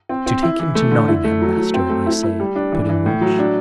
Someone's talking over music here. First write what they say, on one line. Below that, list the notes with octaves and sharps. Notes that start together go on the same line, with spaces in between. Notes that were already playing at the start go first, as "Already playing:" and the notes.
"To take him to Nottingham, master, I say," put in Much.
C4
C4
E4
E3
A3
D3
E4
A3
F#3
F#3
C4
A3
E4
E4
G3
D4
E3
E3
A2
F#3
D4